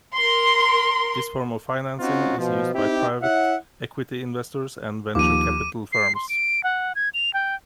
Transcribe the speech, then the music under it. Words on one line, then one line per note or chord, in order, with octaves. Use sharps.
This form of financing is used by private equity investors and venture capital firms.
A#4 C6
C4 C#4 D#4 F4 F#4
B2 F3
C4 D#4 E4 G4
E4 C#5 E5 F#5
D#2 F3 D6 D#7
C7
C6
D7
F#5
G#6
F7
G5